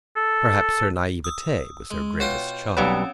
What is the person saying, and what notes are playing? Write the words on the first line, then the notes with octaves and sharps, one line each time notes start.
Perhaps her naivete was her greatest charm.
A4
D#6 E6
G#3
B2 F4 F#4 C#5 G5 G6
B1 G3 C4 C#4 B4 C#5